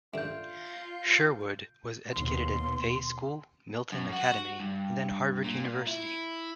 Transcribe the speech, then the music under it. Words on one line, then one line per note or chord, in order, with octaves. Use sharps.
Sherwood was educated at Fay School, Milton Academy and then Harvard University.
G2 D3 F4 E5 G6 D7
D#2 B2 C6
F#2
F#4
G2
A#2
E4